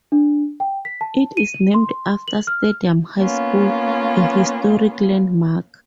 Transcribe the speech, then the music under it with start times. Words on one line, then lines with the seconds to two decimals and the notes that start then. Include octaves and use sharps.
It is named after Stadium High School, a historic landmark.
0.12 D4
0.60 G5
0.85 B6
1.01 A5
1.37 D#7
1.74 C6
2.28 F#7
2.47 F6
3.18 A#3 B3 C#4 F4